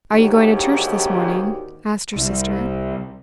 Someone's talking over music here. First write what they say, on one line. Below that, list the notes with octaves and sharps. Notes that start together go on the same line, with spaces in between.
'Are you going to church this morning?' asked her sister.
D#2 G#2 D3 F#4 G4
C2